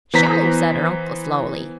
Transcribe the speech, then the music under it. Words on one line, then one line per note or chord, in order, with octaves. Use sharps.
"Sho!" said her uncle, slowly.
E3 B3 C5 A#5 B6